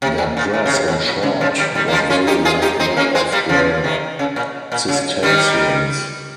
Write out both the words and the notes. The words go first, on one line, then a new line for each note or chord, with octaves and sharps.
Their dress in short was very like that of the Cistercians.
C3
G#2
A#2
A#2
C#3
C3
G#2
A#2
C#3
C#3 F3
D#3 G3
D#3 G3
A#3
F3 G#3
C#4 F4
D#4 G4
F4 G#4
D#4 G4
C4 D#4
A#3 C#4
G#3 C4
G3 A#3
C#3 F3
C3 D#3
C#3
A#2
A#2
C#3
D#3 G3